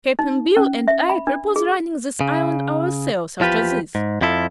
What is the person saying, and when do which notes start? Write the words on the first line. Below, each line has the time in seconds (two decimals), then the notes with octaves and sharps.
Cap'n Bill and I perpose runnin' this Island ourselves, after this.
0.19 D#4
0.57 C#4
0.88 E5
1.09 B5
1.27 D4
1.56 G#4
2.21 C#3
3.40 E2 F3 F4 G4 B4
3.95 G#2
4.21 F2 F3 E4 A4